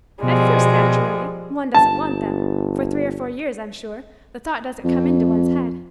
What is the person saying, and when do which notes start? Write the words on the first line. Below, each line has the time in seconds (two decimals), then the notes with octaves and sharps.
At first, naturally, one doesn't want them,--for three or four years, I'm sure, the thought doesn't come into one's head.
0.23 B2 F3 G3 G#3
1.74 G1 A5
4.84 F2